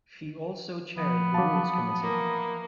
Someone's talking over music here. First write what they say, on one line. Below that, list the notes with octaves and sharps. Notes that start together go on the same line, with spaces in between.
She also chaired the Rules Committee.
F3 B3
F#3 F5 A5 D6
E3 A#3